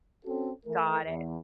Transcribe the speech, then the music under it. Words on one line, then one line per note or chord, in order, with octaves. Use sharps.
Got it.
C4 C#4 F#4 A4
E3 A3 A#4
E2